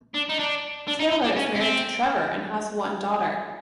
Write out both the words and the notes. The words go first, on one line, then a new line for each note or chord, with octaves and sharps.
Taylor is married to Trevor and has one daughter.
D4
D#4
D4
D4
D#4
D#4
D4
C#4
C#4
C4